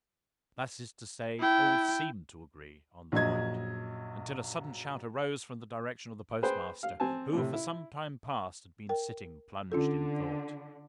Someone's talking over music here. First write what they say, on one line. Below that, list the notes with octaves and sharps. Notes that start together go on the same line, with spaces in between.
That is to say, all SEEMED to agree on the point; until a sudden shout arose from the direction of the Postmaster, who for some time past had been sitting plunged in thought.
E4 G5
A#1 F#2 D#5 G#6
G#4 B4 C5 G5
F5
C4 G#5 A5
A2 C3
E4
A#4 G5
D3 C#4 F4 A4